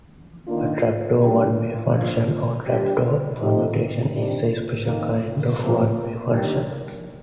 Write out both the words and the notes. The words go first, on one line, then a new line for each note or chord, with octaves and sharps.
A trapdoor one-way function or trapdoor permutation is a special kind of one-way function.
D#3 A#3 D4 F4
A2 G3 D4 G4
F3 A#3 D4 F4
A#2 G3 D4 G4
C3 F3 A3 D#4 G4
F2 C3 D#3 G3 D4
F2 D#3 A#3
C3 F3 A#3
D#3 G3 A#3 D4 G4